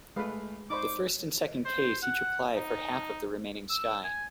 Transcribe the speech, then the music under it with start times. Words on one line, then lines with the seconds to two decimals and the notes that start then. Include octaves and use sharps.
The first and second case each apply for half of the remaining sky.
0.16 G#3 A3 B4 F5
0.70 D#4 C5 D5 B5 C#6 D6
1.65 C5
2.03 F#5
2.55 D#4
3.70 E6
4.04 G#5